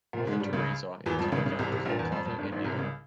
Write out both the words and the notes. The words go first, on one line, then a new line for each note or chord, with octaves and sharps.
Mother Teresa in Kalighat, Kolkata, India.
A#2 A#3
G#2 G#3
G2 G3
C#2 C#3
E2 E3
F2 F3
C#2 C#3
C#2 C#3
C2 C3
C2 C3
A#1 A#2
E2
F2
F2
G1 G2
G#1 G#2
C2 C3
C#2 C#3